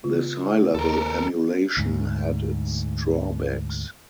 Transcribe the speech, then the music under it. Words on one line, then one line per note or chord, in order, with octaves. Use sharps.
This high-level emulation had its drawbacks.
C#3 F4
D#2 A4 A#4
D2 G#2